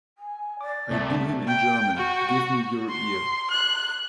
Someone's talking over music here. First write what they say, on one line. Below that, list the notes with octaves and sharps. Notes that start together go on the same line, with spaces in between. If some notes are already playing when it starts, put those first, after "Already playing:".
I do him in German; give me your ear.
G#5
D5 D6
C2 A3 C4 E5
G5
F#4
C6
F#6